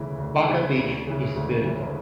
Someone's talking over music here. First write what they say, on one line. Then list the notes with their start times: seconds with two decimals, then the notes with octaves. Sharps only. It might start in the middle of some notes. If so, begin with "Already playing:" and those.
Baga beach is beautiful.
Already playing: D2 C#3 E3
0.18 D2
0.47 C#3 E3
0.77 D2
1.07 C#3 E3
1.36 D2
1.65 C#3 E3